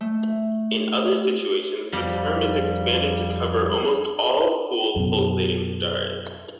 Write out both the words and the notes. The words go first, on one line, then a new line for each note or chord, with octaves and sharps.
In other situations, the term is expanded to cover almost all cool pulsating stars.
A3
F2 G3
F#2 B2